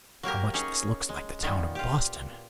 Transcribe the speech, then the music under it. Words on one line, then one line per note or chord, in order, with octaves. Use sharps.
How much this looks like the town of Boston!
F#3 A#3 G4 A#4
C#4 D#4 G#4 C#5
G#3
A#2 D#3 B3
F4 G4